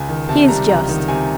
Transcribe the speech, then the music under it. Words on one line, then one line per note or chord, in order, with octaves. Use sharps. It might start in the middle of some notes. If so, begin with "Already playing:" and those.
He is just.
Already playing: C#2 G#5
D#3
C3 A5
G3 A#5
C#2 A#5
D#3
C3 G#5